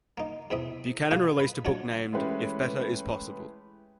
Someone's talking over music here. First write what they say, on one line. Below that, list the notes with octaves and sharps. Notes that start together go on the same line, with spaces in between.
Buchanan released a book named, "If Better Is Possible".
A#3 D#4
E2 C4 E5 D#6
A#2 G#4 F5 D#6
B4
D4 F4 F#4 C#5
E3 G#3 A3 C#4 G4 B4